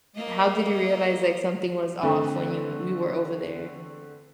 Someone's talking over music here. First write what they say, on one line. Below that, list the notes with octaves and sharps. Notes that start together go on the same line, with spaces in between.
how did you realize, like, something was off when you you were over there?
A#3 D#5
D3 A3 C4